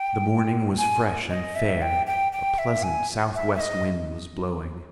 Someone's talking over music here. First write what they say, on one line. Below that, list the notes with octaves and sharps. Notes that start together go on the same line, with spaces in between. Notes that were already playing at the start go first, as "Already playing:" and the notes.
The morning was fresh and fair; a pleasant southwest wind was blowing.
Already playing: G5
G#5
D#5
E5
G5
G5
G5
E5
G#5
E5
E5
D#5